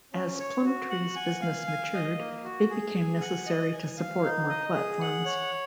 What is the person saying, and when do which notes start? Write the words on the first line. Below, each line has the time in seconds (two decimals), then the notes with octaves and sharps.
As Plumtree's business matured, it became necessary to support more platforms.
0.13 C#4
0.39 C#5
0.65 F#4
0.90 F#5
1.16 G#5
1.41 F5
1.67 G#5
1.93 D#5
2.18 A#3
2.44 F#4
2.70 G#4
2.96 G#5
3.21 F#5
3.46 D#5
3.73 G#5
3.98 F5
4.24 D#4
4.49 D#5
4.74 G#4
5.01 F#5
5.25 C#5